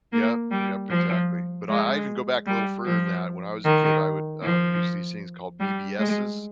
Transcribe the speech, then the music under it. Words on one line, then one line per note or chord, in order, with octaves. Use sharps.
Yep, yep, exactly, but I I even go back a little further than that, when I was a kid, I would, um, use these things called BBSs.
A#3
G3
F3
G#3
G3
F3
D#3
F3
G3
G#3